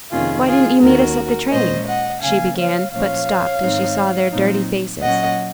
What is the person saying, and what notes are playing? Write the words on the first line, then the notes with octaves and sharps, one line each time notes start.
"Why didn't you meet us at the train?" she began, but stopped as she saw their dirty faces.
F2 C3 D#3 A#3 C#4 F4 G#4
F4 G#4
D#2 D#3 A#3 C#4 F#4 A#4
A#2 G#3 C#4 C5 D#5
D#5 F#5
C#3 F#3 A#3 F5 G#5
C#5 F5
A#2 F3 A#3 C#4 C#5 F5
G#2 D#3 G#3 C4 D#4
A#2 F#3 C4 D#4
A#2 F#3 C#4 D#5 F#5